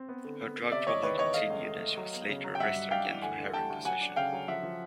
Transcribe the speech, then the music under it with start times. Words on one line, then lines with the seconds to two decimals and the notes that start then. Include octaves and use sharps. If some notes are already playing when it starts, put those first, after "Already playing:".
Her drug problem continued and she was later arrested again for heroin possession.
Already playing: C4
0.09 B3
0.24 D3
0.41 B3
0.57 B3
0.71 C3 D5 E5
0.87 E2 C#5 D#5
1.03 D#3 B4 C#5
1.19 E2 C#5 D#5
1.34 A3 D#5 F5
1.50 C#2
1.66 A3
1.81 A3
1.97 F#3
2.13 B3
2.29 C#3
2.44 F#3
2.55 G5
2.60 G2 E5 F#5
2.76 G2
2.91 D4 F5 G5
3.07 E3
3.22 D2 F#5 G#5
3.38 D3
3.53 G3 G5 A5
3.70 D2
3.85 F#3 F#5 G#5
4.01 D4
4.16 C#3 F5 G5
4.33 F#3
4.48 F3 E5 F#5
4.63 F3